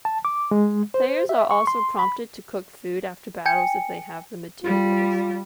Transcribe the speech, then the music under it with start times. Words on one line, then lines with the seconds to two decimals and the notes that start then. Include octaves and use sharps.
Players are also prompted to cook food after battles if they have the materials.
0.05 A5
0.25 D6
0.51 G#3
0.94 C5
1.29 E5
1.51 C#6
1.67 C6
1.99 B5
3.46 G5 G#5 C#7
4.64 G3 F4